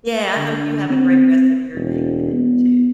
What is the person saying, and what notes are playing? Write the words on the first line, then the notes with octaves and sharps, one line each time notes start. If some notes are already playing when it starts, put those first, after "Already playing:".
Yeah. I hope you have a great rest of your day to too.
D3
C4
E1
B3